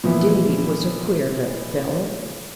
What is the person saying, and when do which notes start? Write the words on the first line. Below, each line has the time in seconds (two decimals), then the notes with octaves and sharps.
Davy was a queer little fellow.
0.04 A#2 E3 F3 B3 E4